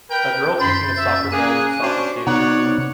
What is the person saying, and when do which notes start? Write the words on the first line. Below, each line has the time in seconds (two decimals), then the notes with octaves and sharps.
A girl kicking a soccer ball in a soccer stadium.
0.10 A#4 B4 G5 G6
0.59 F#2 B5 C6 G6 A6
0.98 E5
1.32 A#3 C#4 G#4 G#5 F#6
1.81 C#4 D4 F#4 C5
2.27 C3 B3 D#4 C#5 D5 F#5